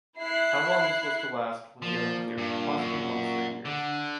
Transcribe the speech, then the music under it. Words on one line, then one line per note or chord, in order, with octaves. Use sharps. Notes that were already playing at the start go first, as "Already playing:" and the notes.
How long this was to last, was yet unclear, possibly months or years.
E4 F#6 C7
A#2 F3
G2
F#2
D3